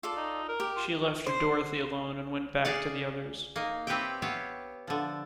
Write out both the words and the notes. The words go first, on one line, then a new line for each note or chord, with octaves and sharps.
She left Dorothy alone and went back to the others.
F4 A4 D5
D#4
A#4
G4
F4
C5
G#4 D5 F5 F#5
A#3 D#4
C4 G4 B4 C#5 E5 G5
B3 G4 C#5 E5 F5
D3 F3